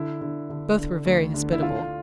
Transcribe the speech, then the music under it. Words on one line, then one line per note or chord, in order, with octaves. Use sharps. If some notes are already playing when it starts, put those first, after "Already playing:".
Both were very hospitable.
Already playing: D3 E4
D3
D3
D3
D2
D3
E4
D3 F4